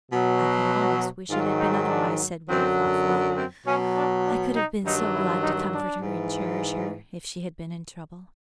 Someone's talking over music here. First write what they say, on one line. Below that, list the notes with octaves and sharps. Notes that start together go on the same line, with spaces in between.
"I could almost wish it had been otherwise," said Will, thoughtfully. "I could have been so glad to comfort her, and cherish her, if she had been in trouble."
B2 F#3
G#2 D#3 F#3 F4
D#4
D4
F#2 D3 F#3 C4
B3
C4
B2 F#3 C#4
D4
D4
D#4
G2 D#3 F#3 D#4
E4
D#4
D4
G#2 E3